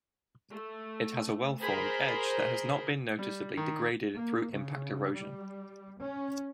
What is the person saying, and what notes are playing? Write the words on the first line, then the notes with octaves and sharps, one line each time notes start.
It has a well-formed edge that has not been noticeably degraded through impact erosion.
A3
G#4 A#4 C5 B5
G3
D#3
A#3
C#3
G3
C#4